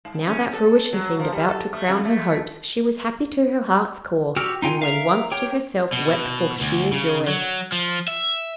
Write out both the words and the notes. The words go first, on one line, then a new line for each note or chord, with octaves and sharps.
Now that fruition seemed about to crown her hopes she was happy to her heart's core; and when once to herself wept for sheer joy.
G#2
C#4
A4
F#3
F3
G3
A4
A3
F2
A3
F#4 G4 G5 E6 F6
D#4 F4 G5 G#5
A#4 E5 F5
G4 A#4 C#5 G5
B2
D2
C#3
F#3
F3
E5